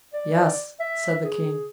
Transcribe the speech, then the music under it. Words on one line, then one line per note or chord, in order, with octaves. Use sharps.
"Yes," said the King.
D5
E5
G#4